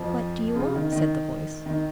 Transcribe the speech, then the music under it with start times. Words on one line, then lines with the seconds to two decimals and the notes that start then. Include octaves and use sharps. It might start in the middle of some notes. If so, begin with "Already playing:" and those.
"What do you want?" said the voice.
Already playing: F2 F3
0.55 C#3
0.67 C#3
0.74 D#3
0.92 D#3
1.66 D#3